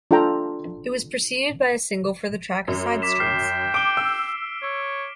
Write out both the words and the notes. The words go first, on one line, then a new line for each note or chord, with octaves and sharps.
It was preceded by a single for the track "Side Streets".
D4 F4 A4 G5 A#5
F#2
D6 B6 E7
G5 F6 C7
D6 D7 G7
E6
C#5